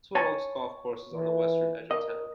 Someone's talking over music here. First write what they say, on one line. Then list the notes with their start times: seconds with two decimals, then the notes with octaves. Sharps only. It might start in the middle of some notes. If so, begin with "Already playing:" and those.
Twin Oaks Golf course is on the western edge of town.
0.15 C#5 G#5 A5
1.13 E3
1.91 A#4 D#5